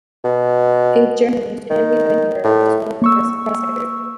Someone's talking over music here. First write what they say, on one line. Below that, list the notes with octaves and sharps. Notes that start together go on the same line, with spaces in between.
A German named Henry Wickenburg was one of the first prospectors.
B2
D#3
A2
A#3 C#6 E6